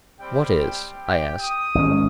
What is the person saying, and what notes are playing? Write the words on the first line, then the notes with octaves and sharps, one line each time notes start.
"What is?" I asked.
G3 C4 G5
G4 G5
D#6
G#1 G#3 C#4